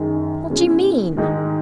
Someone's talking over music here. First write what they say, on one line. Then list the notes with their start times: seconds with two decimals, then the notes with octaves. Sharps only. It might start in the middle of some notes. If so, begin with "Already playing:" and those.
"What do you mean?"
Already playing: F#2 D#3 G#3 D#4
0.50 B2 G#3 C#4 E4
1.17 G#2 D#3 G#3 D#4